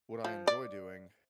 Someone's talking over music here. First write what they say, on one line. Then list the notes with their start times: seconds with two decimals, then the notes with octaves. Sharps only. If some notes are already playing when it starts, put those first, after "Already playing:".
what I enjoy doing,
0.24 F3
0.47 D5